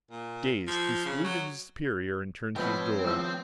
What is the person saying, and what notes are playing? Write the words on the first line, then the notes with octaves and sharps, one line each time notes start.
Dazed, he saluted his superior and turned to the door.
A#2
F3
C#3
F#3
B2 F3 A3 C4 B4 C#5 G5 B5
G#1 F3 E6